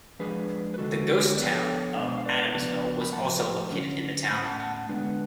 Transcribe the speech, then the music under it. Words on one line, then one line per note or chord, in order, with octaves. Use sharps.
The ghost town of Adamsville was also located in the town.
F3 G#3 D4 G#4 B4
B4
D3 G#3 D4 F#4 A4
B4
C#5
F3 B3 D4 B4 D5
A4 C#5
B2 G#3 B3 D4
F5
B4 D5
C#3 F3 B3 D4 B4 D5
B5
A2 F3 B3 F#5 A5
D3 F#3 C#4
A2 G#3 C#4 G#5 B5
F#5 A5
F#5 A5
D3 G#3 B3 D4